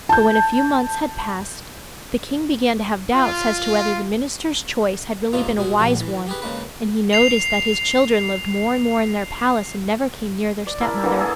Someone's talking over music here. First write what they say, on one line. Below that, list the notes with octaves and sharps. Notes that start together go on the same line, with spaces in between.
But when a few months had passed the king began to have doubts as to whether the minister's choice had really been a wise one, and he noticed that his children lived more and more in their palace and never came near their stepmother.
A5 G6
F4
D#2 G#2 A#3 D#4 F4
B2 G#3 G#4
A#1 D3 G4
E3
G4 G#4 B4
C#3 G#3 A#3 B4
C7 F7
D5
E4 A#4 A5
D3 E3 A#3
G#4 A4 A5